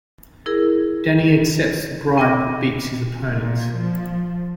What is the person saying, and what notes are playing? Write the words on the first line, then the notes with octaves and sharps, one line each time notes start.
Danny accepts the bribe but beats his opponent.
E4 G#4 A#4
C4 G5 D6 A#6
A#2
F3